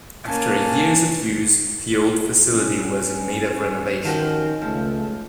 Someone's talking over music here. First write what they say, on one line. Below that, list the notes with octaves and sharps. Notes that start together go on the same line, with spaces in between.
After years of use the old facility was in need of renovation.
A#3 C#4 G#5 A5
C#4
D#3 F3 F#4 G4
C#2 F3 A3